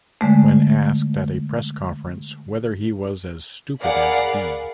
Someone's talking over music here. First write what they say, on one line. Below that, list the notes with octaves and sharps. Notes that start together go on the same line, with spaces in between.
When asked at a press conference whether he was as stupid as B.
D3 G#3 A3
G#4 A#4 D5 F5 F#5 B5